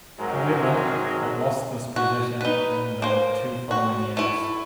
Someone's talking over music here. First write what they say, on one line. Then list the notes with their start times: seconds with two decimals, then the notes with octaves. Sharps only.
However, it lost this position in the two following years.
0.19 G#1 G#2 F#3 G#3 A#4
1.96 F#4
2.41 D#4 B4
3.02 A#3 C5
3.71 F#4
4.17 A3 E4